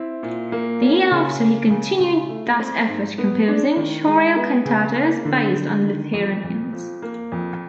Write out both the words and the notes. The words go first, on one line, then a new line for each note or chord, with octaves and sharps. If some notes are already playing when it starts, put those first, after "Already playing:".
The year after, he continued that effort, composing chorale cantatas based on Lutheran hymns.
Already playing: C4 E4
A#2
A#3
C#4
C#3
A#3
C#3
C#3
A3
C4
G#2
B3
D4
D#3
G#3
B3
C#3
A#3
D3
D3
D#3
F2
F2
F3
A#3
F2